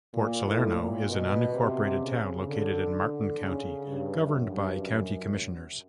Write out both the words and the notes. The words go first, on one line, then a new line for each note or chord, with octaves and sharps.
Port Salerno is an unincorporated town located in Martin County, governed by County Commissioners.
A#2
A2
A#2
B2
C3
C#3
D3
D3
C#3
G2
F#2
G2
F#2